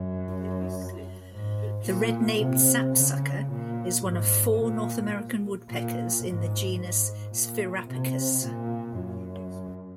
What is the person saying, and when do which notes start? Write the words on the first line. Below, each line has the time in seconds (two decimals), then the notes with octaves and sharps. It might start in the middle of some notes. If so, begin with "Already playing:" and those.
The red-naped sapsucker is one of four North American woodpeckers in the genus "Sphyrapicus".
Already playing: F#2
1.31 G#2
1.86 A#2
2.41 C3
2.96 C#3
3.51 A#2
4.05 G#2
4.61 A#2
5.70 A#2
6.26 G#2
6.80 G#2
7.35 A#2
7.89 C3
8.44 A#2
8.99 F#2